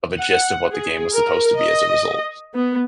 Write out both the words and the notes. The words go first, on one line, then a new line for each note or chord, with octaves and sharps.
of a gist of what the game was supposed to be as a result.
F#5
G#4
A#4
D#5
B3